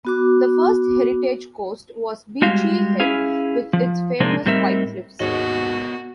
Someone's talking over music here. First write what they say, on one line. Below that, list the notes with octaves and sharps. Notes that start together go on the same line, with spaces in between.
The first heritage coast was Beachy Head with its famous white cliffs.
B3 F#4 D6
G3 G#3 F#4 G4 F5
C#4 E4 G#4 F5
F3
C3 F3 G#3 A#3 D4 D#4
A2 G3 C4 D#4 A#4 E5
D#2 G#2 B3 F#4 A#4 C#5 D#5